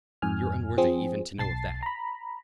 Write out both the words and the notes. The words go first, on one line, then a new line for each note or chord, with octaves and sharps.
You're unworthy even to know of that.
F2 G#2 G#5 F6
F3 C4 G#4
B1 A5 A6 C7
A#5 B5